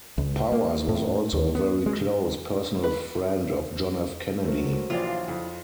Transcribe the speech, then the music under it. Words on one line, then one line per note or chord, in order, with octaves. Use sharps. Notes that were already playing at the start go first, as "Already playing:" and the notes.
Powers was also a very close, personal friend of John F. Kennedy.
C#2
A#3
A2
D#2
B3
G#3
B4
F#3 A3 A#4 C5
A#1 E3 F4 D5 F5
F2 E4